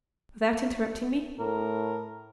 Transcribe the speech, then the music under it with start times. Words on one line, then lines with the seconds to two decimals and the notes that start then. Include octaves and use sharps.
"Without interrupting me?"
1.39 A2 A#4